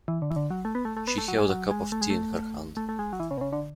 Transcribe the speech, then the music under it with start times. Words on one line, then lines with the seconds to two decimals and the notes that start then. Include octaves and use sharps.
She held a cup of tea in her hand.
0.08 E3
0.22 D3
0.31 E3
0.36 D3
0.51 F#3
0.65 A3
0.75 B3
0.85 A3
0.97 A3
1.07 B3
1.18 A3
1.28 F#3
1.38 G#3
1.49 F#3
1.71 G#3
1.92 A3
2.01 G#3
2.10 A3
2.77 A3
2.89 A3
2.99 G#3
3.13 F#3
3.20 E3
3.31 C#3
3.37 B2
3.41 C#3
3.52 D3